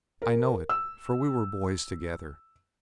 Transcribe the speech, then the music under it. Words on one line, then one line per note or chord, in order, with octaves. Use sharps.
I know it, for we were boys together.
A#4
E6